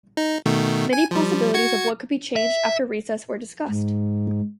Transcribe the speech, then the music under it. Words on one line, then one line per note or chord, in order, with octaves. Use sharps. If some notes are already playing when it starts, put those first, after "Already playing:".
Many possibilities of what could be changed after recess were discussed.
D#4
B2 D#3 A3
G#5
F3 G3
F#4 G#6 C#7
E5
G#2